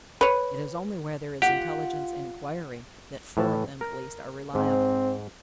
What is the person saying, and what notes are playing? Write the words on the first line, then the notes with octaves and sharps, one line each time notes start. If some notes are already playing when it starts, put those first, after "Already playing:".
It is only where there is intelligence and inquiry that "four of them" at least are reliable.
B4 C#5
F4 G4 F#5
A2 E3 A5
A#4
G#2 C4